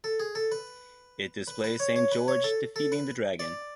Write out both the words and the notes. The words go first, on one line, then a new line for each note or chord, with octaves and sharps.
It displays Saint George defeating the Dragon.
A4
G#4
A4
B4
B4
B4
C#5
C#5
B4
C#5
A4
A4
B4
D5